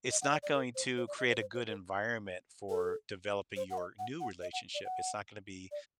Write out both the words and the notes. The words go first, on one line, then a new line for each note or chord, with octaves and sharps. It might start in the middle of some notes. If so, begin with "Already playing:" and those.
it's not going to create a good environment for developing your new relationship. It's not gonna be
D#5
F#5
D5
D5
A#4
C5
C5
D5
D#5
C5
C5
C5
A#4
A4
C5
F#5
D#5
F#5
F#5
D#5
F#5
D5
F#5
D5